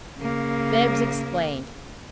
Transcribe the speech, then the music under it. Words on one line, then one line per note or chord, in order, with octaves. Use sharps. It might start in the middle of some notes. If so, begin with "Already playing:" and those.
Bibbs explained.
C#3 A#3